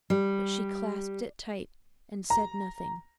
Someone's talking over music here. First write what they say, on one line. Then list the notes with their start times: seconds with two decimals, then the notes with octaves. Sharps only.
But she clasped it tight and said nothing.
0.10 G3
2.30 A#5